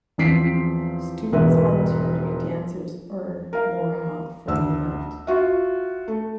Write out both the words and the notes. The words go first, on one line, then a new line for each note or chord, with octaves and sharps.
Students volunteer to be dancers or morale for the event.
E2 F3 C4 B6 C7 D7
E1 G#2 A#4 B4 E5
A#4 F5
D2 E6
F4 F#4 E5
A3